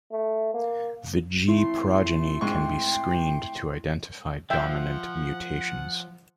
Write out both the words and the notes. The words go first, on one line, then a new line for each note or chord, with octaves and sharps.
The G progeny can be screened to identify dominant mutations.
A3
A#3
A3 C4 E4 C6
G#2 G5 C#6
F3 E5 F#5 G5